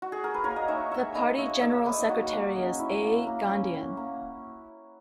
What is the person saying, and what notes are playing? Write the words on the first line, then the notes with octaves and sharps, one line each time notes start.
The party general secretary is A. Gandhian.
F#4
G#4
A#4
B4
A#3 A#4 C#5
D#5
D#4 C#5 E5
A#3 C#5 E5
D#4 B4 D#5
A#3 C#5 E5
D#4 C#5 E5
A#3 B4 D#5
D#4 F#4
A#3
C#4
E4
A#3
A#3
C#4
E4
A#3